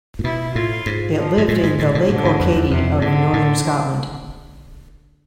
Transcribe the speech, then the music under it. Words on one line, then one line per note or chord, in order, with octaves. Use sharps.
It lived in the Lake Orcadie of northern Scotland.
A2
B2 E4
A2 F4
G#2
F3
G#2
A2 G#3
G#2
A2
B2
A2 D3
G#2
F2
E2
F2 C3
G#2 D3
A2